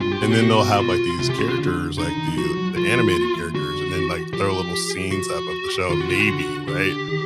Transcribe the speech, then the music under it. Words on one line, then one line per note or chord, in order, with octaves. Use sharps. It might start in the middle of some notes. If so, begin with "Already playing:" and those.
and then they'll have, like, these characters, like the, uh the animated characters, and then, like, throw little scenes up of the show, maybe, right?
G2 F4
G4
B2 F#4
G4
F#4
F#4
F4
C3 F4
G4
C#3 F#4
F4
D3
D3 D#4
D#3
F3 F#4
F#3
F3 F4
E3
A#3
E3
D3 F#4
E3
F3 G4
F#4
D#3 F4
F#4
C#3 F4
F#4
D3
D3
D3 G4
D#3